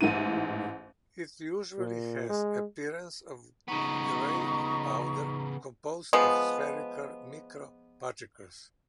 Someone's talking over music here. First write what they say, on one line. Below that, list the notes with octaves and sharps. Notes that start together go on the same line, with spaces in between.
It usually has the appearance of grey powder, composed of spherical microparticles.
A1 G#2 E4 D#7
A#2
G#3
C#3 B3 D#4 A#5 C#6
F3 G#3 B3